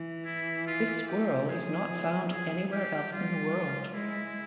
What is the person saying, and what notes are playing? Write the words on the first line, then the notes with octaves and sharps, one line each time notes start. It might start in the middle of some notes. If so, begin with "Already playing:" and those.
This squirrel is not found anywhere else in the world.
Already playing: E3
E4
F4
G4
F3 G#4
G#4
G4
G3 F4
G#3
G#3 E4